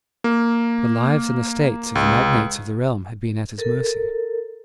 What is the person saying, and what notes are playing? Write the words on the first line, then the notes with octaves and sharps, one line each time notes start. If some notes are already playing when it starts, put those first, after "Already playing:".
The lives and estates of the magnates of the realm had been at his mercy.
A#3
C#2
A4 A#4